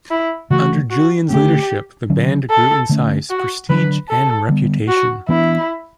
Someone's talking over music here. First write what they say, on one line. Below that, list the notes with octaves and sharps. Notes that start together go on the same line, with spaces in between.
Under Julian's leadership the band grew in size, prestige, and reputation.
E4
C#3 E3 A3 F#4
F#4
D3 A3 C#4 G4
D3 F#3 C#4
A4
D3 A3 C#4
F#4
D3 F#3 B3 D4 B4
A4
D3 G3 B3
F#4
E3 B3 D4 E4